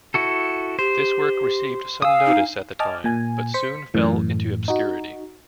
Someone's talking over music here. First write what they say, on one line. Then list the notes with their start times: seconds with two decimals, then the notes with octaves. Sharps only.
This work received some notice at the time, but soon fell into obscurity.
0.14 E4 F#4 A4
0.79 G4 C5
2.02 F5 G#5 D#6 E6
2.26 D#4
2.80 D#5 G#5 A5 D6 F6
3.04 A#2 G#5
3.54 C5 B6 C#7
3.94 F#2 A2 E3
4.68 D#4 F#4